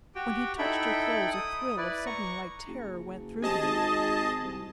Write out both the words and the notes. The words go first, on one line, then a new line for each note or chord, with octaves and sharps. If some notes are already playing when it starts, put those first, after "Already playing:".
When he touched her clothes a thrill of something like terror went through him.
F#4 G4 G5
D#4 E4 A4 E5 G5 B5
D#6
E4 B4 D5
A#5 C#6
F#1
C3 G#4 D#5 A5
G#1
C2